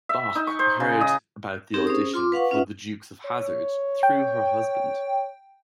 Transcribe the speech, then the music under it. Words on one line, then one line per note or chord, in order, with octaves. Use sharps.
Bach heard about the audition for "The Dukes of Hazzard" through her husband.
E5
D#4
C#6
C5
C#3
D#5
C4 D#4 G4 G#4 A#4
C#4 G#4 C5 D#6
F4 C6 D6
B4 F5 F#5 C#6
C#4 F4 B4 E5 F#5
C#5
G5